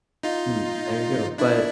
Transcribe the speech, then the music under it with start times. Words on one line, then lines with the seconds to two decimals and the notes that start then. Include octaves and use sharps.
mm, there you go, but
0.23 D#4 F4
1.38 D4 E4